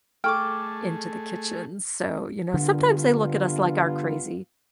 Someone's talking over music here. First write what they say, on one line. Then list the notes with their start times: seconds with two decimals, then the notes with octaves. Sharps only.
into the kitchen, so, you know, sometimes they look at us like our crazy.
0.24 A3 G#4 A4 G5 C#6 D6 F6
2.54 G2 D3 B3 F4